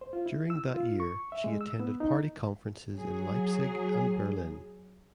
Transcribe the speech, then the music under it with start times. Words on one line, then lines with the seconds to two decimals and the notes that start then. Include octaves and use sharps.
During that year she attended party conferences in Leipzig and Berlin.
0.01 C5
0.13 F4
0.26 E4
0.50 E6
0.74 F4
1.00 C#6
1.32 E5
1.44 G#3
1.61 E6
1.80 B3
2.00 D#4
2.94 F#3 G#4